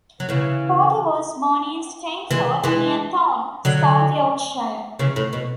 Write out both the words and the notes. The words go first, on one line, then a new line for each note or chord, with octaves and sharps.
Porter was born in Stainforth, near Thorne, South Yorkshire.
F#3
C#3 E3
E3 G#3
E3 G#3
D3 F#3
C#3 E3
A2
B2